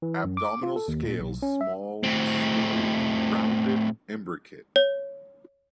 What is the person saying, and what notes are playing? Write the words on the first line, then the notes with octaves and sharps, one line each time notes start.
Abdominal scales small, smooth, rounded, imbricate.
E3
F#2
D6
F4
A4
D#2
A#2
B1
C#4
E5
A2 C4
C#5